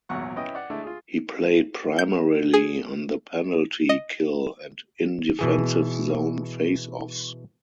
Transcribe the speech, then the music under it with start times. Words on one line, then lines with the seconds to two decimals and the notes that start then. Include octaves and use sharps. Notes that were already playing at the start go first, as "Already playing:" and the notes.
He played primarily on the penalty kill and in defensive-zone faceoffs.
0.09 G#1 E2 A#2 F#3 F#5 C#6
0.36 C#4 E4 B4 D#5 G5
0.55 D5 F#5
0.70 G#3 A3 D4 E4
0.83 F4 G#4
1.99 G6
2.53 G#4
3.89 D#5
5.39 B2 E3 G#4